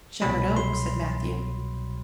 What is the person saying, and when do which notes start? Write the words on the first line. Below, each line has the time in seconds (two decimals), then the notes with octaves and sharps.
"Shepherd Oak," said Matthew.
0.22 C2 B2 F#3 B5
0.56 C6